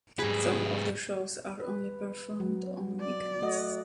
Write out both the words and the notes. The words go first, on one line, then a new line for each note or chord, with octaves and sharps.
Some of the shows are only performed on weekends.
G#2 G3 G#4 B4
B4
F#3
D5
A3 F#4 D#5